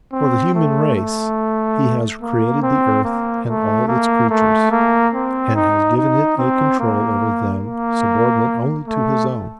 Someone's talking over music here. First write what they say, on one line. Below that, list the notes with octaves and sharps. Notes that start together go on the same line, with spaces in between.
For the human race he has created the earth and all its creatures, and has given it a control over them subordinate only to his own.
C4
A3
A3
A#3
C4
A#3
A3
A#3
A3
A#3
C4
D#4
D#4
C4
A#3
A#3
A3